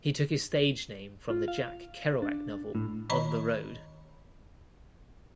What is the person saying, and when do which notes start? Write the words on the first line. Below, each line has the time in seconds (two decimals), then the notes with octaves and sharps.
He took his stage name from the Jack Kerouac novel "On the Road".
1.30 F4
1.48 F5
2.22 D4
2.75 A2
3.10 D#3 C#5 D#5 A#5 B5